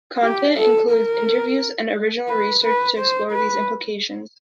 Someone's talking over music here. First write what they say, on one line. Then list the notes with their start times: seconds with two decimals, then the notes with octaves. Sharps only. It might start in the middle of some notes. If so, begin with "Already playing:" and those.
Content includes interviews and original research to explore these implications.
0.22 G4
0.57 A4
0.91 A#4
2.29 B4
2.64 B4
2.98 C5
3.32 B4